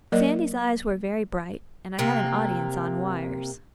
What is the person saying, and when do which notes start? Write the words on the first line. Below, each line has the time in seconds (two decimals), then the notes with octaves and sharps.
Sandy's eyes were very bright and I had an audience on wires.
0.12 F#3 A#3 A#4 D5 D#5
1.99 C3 A#3